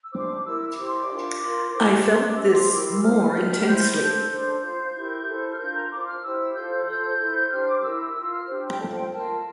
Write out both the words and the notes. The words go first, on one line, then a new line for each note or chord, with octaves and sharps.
I felt this more intensely.
E6
D4 G4 C5 D6
E4 A#4 E6
E6
E4 G4 C5 D6
C6
D6
D4 F4 A#4
F4 A#4 C6
C6
E4 A4 C5 D6
A#5
D4 G4 A#4 C6
D6
D4 G4 C5 E6
D6
C6
E4 G4 A#4 D6
E6
E4 A4 C5 F6
D4 G4 A#4
E4 G4 C5 G6
D4 A4 C5 G6
D4 A4 C5 G6
F4 C5
E4 G4 A#4
E4 A4 C5
F6
D4 F4 A#4 G6
A#5
D4 F4 C5 D6
F6
E4 G4 C5 E6
F4 A4 C5 G6
F4 A4 C5 G6
E4 A4 C5
D4 G4 C5 F6
D6
E4 A#4 E6
F4 A#4 E6
F6
D4 G4 C5
G5
F4 A4 C5 A5
G5
F4 A#4 A5